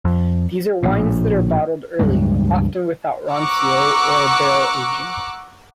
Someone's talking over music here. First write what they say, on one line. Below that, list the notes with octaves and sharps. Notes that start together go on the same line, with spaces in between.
These are wines that are bottled early, often without "rancio" or barrel aging.
F2
A#1 A2
C#2 G2 F#3 G#3
F#5 A#5 C#6 D6 E6 F#6